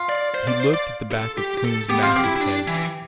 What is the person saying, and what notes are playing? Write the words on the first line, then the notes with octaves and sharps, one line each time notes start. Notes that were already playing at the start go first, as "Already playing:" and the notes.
He looked at the back of Kloon's massive head.
Already playing: F4
D5
C5
D5
C5
D5
A4
G4
G4
A4
B3 G4
C4 F4
G4
E4
E4
D4
E3